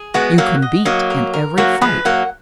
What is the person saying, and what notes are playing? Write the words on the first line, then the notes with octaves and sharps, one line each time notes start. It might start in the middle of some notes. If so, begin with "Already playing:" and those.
You can beat in every fight.
Already playing: G#4
G#3 B3 F#4
F#3 A#3 F#5
D#5
F#3 A#3 D#5
A#4
A#4
F#3 A#3 F#4
F3 G#3 B4
F#3 A#3 F#5